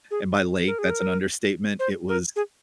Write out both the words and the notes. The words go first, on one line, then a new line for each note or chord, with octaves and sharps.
And by lake, that's an understatement. It was
G#4
A#4
G#4
A#4
C5
A#4
G#4